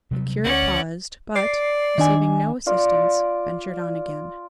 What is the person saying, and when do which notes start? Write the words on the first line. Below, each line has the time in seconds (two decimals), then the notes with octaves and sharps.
The curate paused, but, receiving no assistance, ventured on again.
0.11 C3 F#3 G3
0.45 D2 C#4 D5 F#5
1.36 D5 C7
1.98 D#3 D4 G#5
2.66 F4 D5